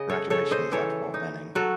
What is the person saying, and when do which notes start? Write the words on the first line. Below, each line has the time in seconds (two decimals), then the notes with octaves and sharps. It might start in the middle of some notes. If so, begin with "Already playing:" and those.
Graduation is at Fort Benning.
Already playing: C#3 D#5
0.10 A4 C#5
0.30 C#3 A4 C#5
0.51 C5 D#5
0.72 E3 A4 C#5
1.14 D#4
1.55 F#3 F#4 A4